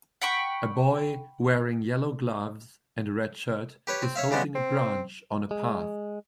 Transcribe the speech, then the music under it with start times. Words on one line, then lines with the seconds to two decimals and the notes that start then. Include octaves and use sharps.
A boy wearing yellow gloves and a red shirt is holding a branch on a path.
0.22 F#5 G5 B5 C#6
3.87 G4 B4 C#5
4.02 C4
4.16 C#5 E5 F5
4.31 C#3 G3 G#3 B3
4.55 C4
5.51 G#3